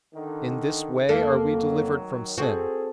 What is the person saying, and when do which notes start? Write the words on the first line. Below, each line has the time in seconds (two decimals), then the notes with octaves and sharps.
In this way are we delivered from sin.
0.14 D3 D#3
1.08 F2 A#3 A4
1.51 D#3 F#3
2.38 C4 F#4 G#4 A4